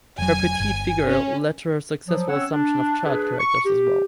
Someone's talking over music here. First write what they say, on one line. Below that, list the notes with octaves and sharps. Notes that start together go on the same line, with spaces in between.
Her petite figure led to her successful assumption of child characters as well.
F1 F#3 G#5
G1
C#4
F3 F#3
C4 C#4 C#5 F#5 E6
D4
D4 G#4 B4
C#6
G4